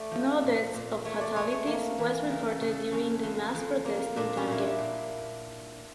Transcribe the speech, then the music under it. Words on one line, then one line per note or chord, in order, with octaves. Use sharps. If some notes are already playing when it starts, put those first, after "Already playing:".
No deaths of fatalities was reported during the mass protests in Tangier.
Already playing: A3 D5 F5
F3
A#2
A#2
A3 C#5
D5
A3 C#5
C#5
A#3
E3
C#3 A#4
A4
C#3
A4
F2 C#4
F2
F2
A#3
A#2 D4
C#4
A#2 E4
D4
A#2